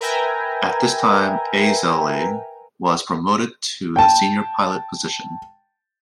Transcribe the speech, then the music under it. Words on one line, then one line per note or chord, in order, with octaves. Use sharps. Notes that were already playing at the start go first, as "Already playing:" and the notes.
At this time, Eisele was promoted to the Senior Pilot position.
A#4 B4 E5 G5 G#5 A#5
G5 A5